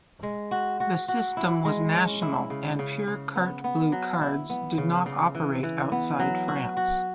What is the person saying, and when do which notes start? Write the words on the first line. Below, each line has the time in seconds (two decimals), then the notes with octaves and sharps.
The system was national, and pure Carte Bleue cards did not operate outside France.
0.23 G#3
0.51 F#4
0.80 F#4
1.08 F#4
1.37 E4
1.65 G#3
1.94 C#4
2.22 E4
2.50 C#3
2.79 C#3
3.07 C#3
3.35 B3
3.64 B3
3.92 F#3
4.21 E4
4.50 B3
4.78 C#3
5.06 C#3
5.35 E3
5.63 E3
5.92 B3
6.19 F#3
6.48 F#4
6.77 F#4